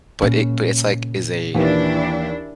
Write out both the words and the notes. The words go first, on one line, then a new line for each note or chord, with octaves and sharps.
But it but it's, like, is a
A#2 C#3
D#2 E3 D4 E4